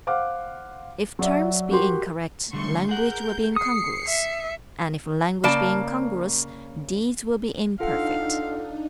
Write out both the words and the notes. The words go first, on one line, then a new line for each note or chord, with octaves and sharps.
If terms be incorrect, language will be incongruous; and if language be incongruous, deeds will be imperfect.
C5 F5 F#5 D6
F#3 D5 E5
F#4 G4 A#4 C6
D3 G3 A3 C6 C#6
G#4 A#4 F#5 G6
D#6 C7 C#7
E5
C#3 A#3 D5 A5
D4 D#4 F4 A4 F5 F#5